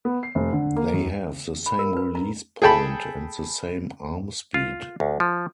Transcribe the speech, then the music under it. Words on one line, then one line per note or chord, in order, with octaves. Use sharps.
They have the same release point and the same arm speed.
B3
C7
F1
D3
A#3
F#2
B5
A#4
B4
A#5
G#4 A4 G5 A5 B5
F4
D2
F3